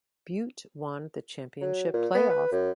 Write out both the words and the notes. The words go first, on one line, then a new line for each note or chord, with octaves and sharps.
Butte won the championship playoff.
F#3
A#2
B3
B4
F#2